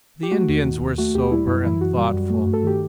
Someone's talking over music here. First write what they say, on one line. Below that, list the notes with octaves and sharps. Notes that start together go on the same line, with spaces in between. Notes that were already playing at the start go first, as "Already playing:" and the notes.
The Indians were sober and thoughtful.
G4
A3 F#4
D#2
D#3
D#2
A3 F#4
D#2 G4
G3 E4
F#2 E4
E3 E4
F#2 F#4
G3
F#2
A3
G2
A4
D#3 G4